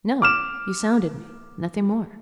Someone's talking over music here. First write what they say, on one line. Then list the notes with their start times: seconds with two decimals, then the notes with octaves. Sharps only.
No, you sounded me, nothing more.
0.22 D6 F6 E7